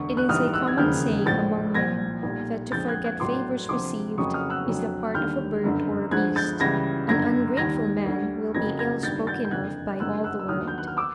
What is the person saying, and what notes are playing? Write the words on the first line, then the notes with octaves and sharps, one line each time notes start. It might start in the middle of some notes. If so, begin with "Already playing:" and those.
It is a common saying among men that to forget favours received is the part of a bird or a beast: an ungrateful man will be ill spoken of by all the world.
Already playing: E1 D2 D3 C#6
F#6
A#1 G#2 E3 G3 D#6 F6
E6 F#6
G#6
E1 D#2 C#3 F3 G#3 F6 G6
A#1 A2 F3 G6 A6
C2 A#2 F3 G#6 A#6
B1 A#2 G3
F2 D3 F3 G#3 G6 A6
F#6 G#6
F#6 G#6
A#1 A2 F#3 C6 D6
D2 C3 F3 C6 D6
F#1 F2 C#3 F#3 C#6 D#6
D#6 F6
E6 F#6
F2 D3 F#3
D#2 D3 G3 F6 G6
G1 F#2 D3
D2 D3 F3 G#3 F#6 G#6
G6 A6
C#2 C#3 E3 G3 G#6 A#6
G1 F#2 D3 G#6 A#6
D#2 D#3 G3 G#6 A#6
D2 D3 G3
F#1 F2 C#3 F#3 G#6 A#6
G#6 A#6
G1 G2 D#3 G3 G6 A6
G6 A6
G6
F#1 F2 D3 F#6 G#6
F#1 F#2 D3 G3 E6 F#6
E6 F#6
E6
D#2 D3 F#3 D#6 F6
G6
F#6
F6
D6 E6